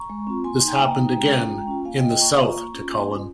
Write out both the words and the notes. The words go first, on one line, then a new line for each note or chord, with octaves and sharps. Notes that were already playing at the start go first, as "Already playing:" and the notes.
This happened again in the south to Cullin.
Already playing: A#5 C#6
G#3
C4 F4
A#3 G#5 C6
G#5 C6
D#4
G5 A#5
A#3 G5 A#5
D#4
G#3
C#4 F4
G#3
C#4 F4
A#3 F5 G#5
D#5 G5
F4
D#5 G5
A#3 A#5 C#6
F4
A#3
C#4 F4
A#3 G#5 C6
C#4 F4